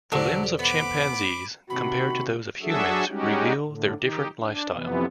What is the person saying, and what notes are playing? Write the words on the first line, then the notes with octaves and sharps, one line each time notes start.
The limbs of chimpanzees, compared to those of humans, reveal their different lifestyle.
E1 D3 F#3 G4 A4 C5 D5
B3 B5 D6
D#2 C3 F#4 B5
F#3 D4 F#4 G#4 A4 E5
G3 G#3 C#4 D#4 F#4 G4
A2 D3
D#3 D#4 G4
D4
F2 C3 E3 B3